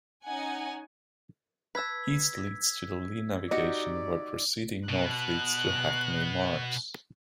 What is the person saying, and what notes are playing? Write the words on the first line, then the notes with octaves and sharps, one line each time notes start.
East leads to the Lee Navigation where proceeding north leads to Hackney Marshes.
C#4 D#4 F#5 G#5
B4 A5 E6 G#6 B6
D#4 F#4 G4 D5 D#5
B2 F#6